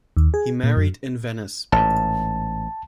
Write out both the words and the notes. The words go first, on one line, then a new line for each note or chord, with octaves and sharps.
He married in Venice.
D#2
G#4
A#2
F#2
A1 G#2 A5